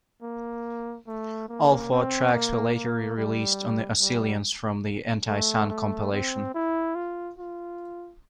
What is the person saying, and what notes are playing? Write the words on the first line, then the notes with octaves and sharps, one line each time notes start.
All four tracks were later re-released on the Oscillons from the Anti-Sun compilation.
A#3
A3
A#3
C4
A#3
A#3
G3
G3
A3
A3
C4
E4
F4
F4